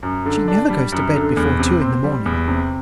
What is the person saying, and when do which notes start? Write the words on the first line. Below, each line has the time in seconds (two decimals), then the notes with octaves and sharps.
She never goes to bed before two in the morning.
0.03 F#2
0.26 D3
0.48 D4
0.70 G3
0.92 F#2
1.15 D3
1.37 E2
1.59 C3
1.81 C4
2.04 G3
2.26 E2
2.48 C3